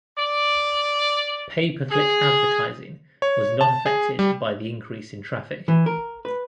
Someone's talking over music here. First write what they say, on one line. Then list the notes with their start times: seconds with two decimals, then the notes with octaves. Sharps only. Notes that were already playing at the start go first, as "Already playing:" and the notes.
Pay-per-click advertising was not affected by the increase in traffic.
0.15 D5
1.90 G#4
3.22 C#5
3.61 A5
3.86 G#4
4.19 G3
5.68 E3
5.86 A#4
6.25 B4